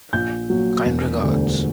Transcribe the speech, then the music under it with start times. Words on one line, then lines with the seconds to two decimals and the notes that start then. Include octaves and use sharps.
Kind regards.
0.13 A#1 G6
0.50 A#2 F#3
0.86 E1
1.22 D2 D3 G3